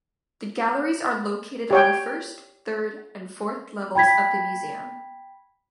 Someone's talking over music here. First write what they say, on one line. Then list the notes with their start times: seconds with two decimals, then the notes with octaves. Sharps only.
The galleries are located on the first, third and fourth levels of the museum.
1.71 G4 C#5 G5
3.95 G5 B5 G#6 B6